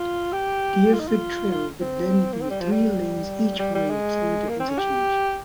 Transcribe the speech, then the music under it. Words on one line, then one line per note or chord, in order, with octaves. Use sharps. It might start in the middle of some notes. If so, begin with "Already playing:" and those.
Deerfoot Trail would then be three lanes each way through the interchange.
Already playing: F4
G4
F4
D#4
F4
F4
C4
A#3
C4
G3
F3
G3
G3
G3
G#3
A#3
C4
C#4
G4